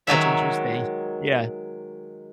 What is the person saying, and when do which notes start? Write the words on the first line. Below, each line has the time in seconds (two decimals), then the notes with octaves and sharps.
That's interesting. Yeah.
0.07 D#3 F#3 G#3 E5